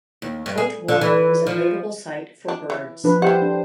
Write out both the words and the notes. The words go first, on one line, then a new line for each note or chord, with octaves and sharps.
Coate Water is a notable site for birds.
D#2
G2
G#4
D3
E3
F3
D4
E3
F3 D4 B4
E4 G4 C5 F#5
D4